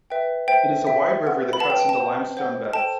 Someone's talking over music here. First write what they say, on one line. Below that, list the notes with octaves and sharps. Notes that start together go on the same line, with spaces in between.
It is a wide river that cuts into limestone beds.
B4 E5 G5
C5 E5 G5
C5 E5 G5
B4 F#5
B5
B4 F#5 A5
G5
G5
A5
C5 F#5
C5 F#5
A4 C5 G5 A5